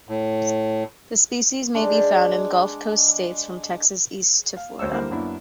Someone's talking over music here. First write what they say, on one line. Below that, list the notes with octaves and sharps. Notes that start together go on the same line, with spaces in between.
The species may be found in Gulf Coast states from Texas east to Florida.
A2
G#3 D4
F5
D2 C5 C#5 E6
D3 G3 A#3 E4 A#4 C5
F#2 A#3 B3 D4 E4